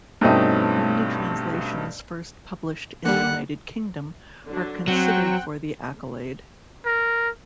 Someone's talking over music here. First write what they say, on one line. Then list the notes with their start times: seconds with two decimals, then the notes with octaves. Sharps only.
Only translations first published in the United Kingdom are considered for the accolade.
0.21 G2 B2 A3 C4 C#4 D#4
3.05 D3 G3 A#3 F#5
4.47 D3 F#3 D4
4.88 F#3 C4 F#5 G5
6.86 A#4